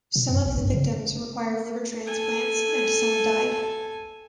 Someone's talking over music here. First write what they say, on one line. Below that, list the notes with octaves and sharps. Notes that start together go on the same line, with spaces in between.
Some of the victims required liver transplants and some died.
B2
F#2
A1
G2
C#3
A4 G#5